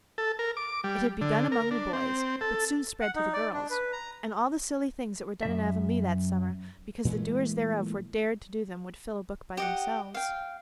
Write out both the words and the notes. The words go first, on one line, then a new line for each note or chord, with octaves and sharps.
It had begun among the boys, but soon spread to the girls, and all the silly things that were done in Avonlea that summer because the doers thereof were "dared" to do them would fill a book by themselves.
A4
A#4
D6
G3
D3
A#4
D4
C4
A4
F#5
D#4
D5
D4
B4
A#5
F#2 B2 E5
A#2 E3 G#3 A3
G4 D#5 F#5
F5 G5